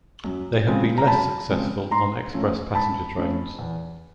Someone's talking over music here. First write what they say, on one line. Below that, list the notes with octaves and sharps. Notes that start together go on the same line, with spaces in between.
They have been less successful on express passenger trains.
F#2
C#3 F3 G#3 C4
A#5
F#2 A5 B5
C#3 F3 G#3 C4
G#2 A#5 C6
F3 A3 C#4
G#2 A5 B5
F3 A3 C#4
E2